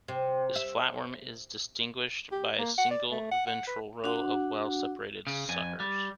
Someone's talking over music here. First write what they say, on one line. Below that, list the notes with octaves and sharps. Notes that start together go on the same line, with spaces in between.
This flatworm is distinguished by a single ventral row of well separated suckers.
C3
E5
G4
A#3
F#5
D5
A3
F#5
F#5
B4
D4 F#4 F#5
C#3
F2 G#5
G3